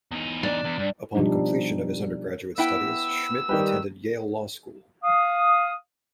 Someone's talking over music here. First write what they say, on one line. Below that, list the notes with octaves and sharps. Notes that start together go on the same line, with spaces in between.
Upon completion of his undergraduate studies, Schmidt attended Yale Law School.
E2 D#4
D4
E2
G2
B2 F3 G3 D4 D#4
B3 E4 G5 E6
D#3 G3 G4 B4
F5 D#6